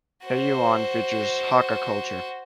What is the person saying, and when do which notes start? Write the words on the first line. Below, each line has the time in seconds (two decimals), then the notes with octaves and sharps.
Heyuan features Hakka Culture.
0.23 F#4 C5